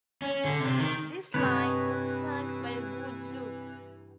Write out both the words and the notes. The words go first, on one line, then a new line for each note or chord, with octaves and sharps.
This line was flanked by a goods loop.
C#4
D3
C3
D#3
G2 C3 E3 B4 C#5 D#5